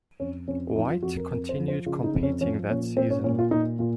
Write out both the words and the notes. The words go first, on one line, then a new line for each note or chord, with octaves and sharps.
White continued competing that season.
F2 C#4
F2 C#4
F3 D#4
F4
F2 F#4
A#4
F2 A#4
C5
F3
C5
C#3 F4
D#4
F2
C#4
F3 C#4
A#2 C#4
A#2 C4
C#4
A#2 C#4
F4
A#2 D#4
A#2 F4